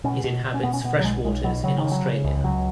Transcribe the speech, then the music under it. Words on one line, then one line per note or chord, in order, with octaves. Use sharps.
It inhabits freshwaters in Australia.
B2 C#4
B2
B2
C#4
B2 B3
C#4
B2 B3
F#3
B1 G#3
B1 G#3
B2 F#3
C#3 F#3
D#3
C#3
F#3
C#3
C#2
C#2 F#3